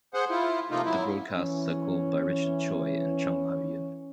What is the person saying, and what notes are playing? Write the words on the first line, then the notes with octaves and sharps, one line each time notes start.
The broadcasts are called by Richard Choi and Chong Ho Yim.
G#4 C5 F#5
E4 F4
C3 F3 A3 A#3 D#4 F4
F#3 E4
E3 C#4